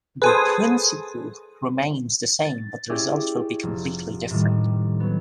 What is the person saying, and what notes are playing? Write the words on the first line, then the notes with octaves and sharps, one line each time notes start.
The principle remains the same but the result will be completely different.
G#4 A4 B4 C5 G#5 D#6
A6
C#4 E4 G4 G#4 D5
F1
A2 D#3 G3
F#3 B3